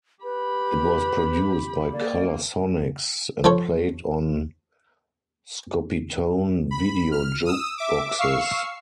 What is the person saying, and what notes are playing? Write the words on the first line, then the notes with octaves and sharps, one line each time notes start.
It was produced by Color-Sonics, and played on Scopitone video jukeboxes.
G4 B4 B5
A#3 D5
F3 F4 A4 C#5
B5
F6
D#6 E6
E5 D6
F5 C#6 E6 C7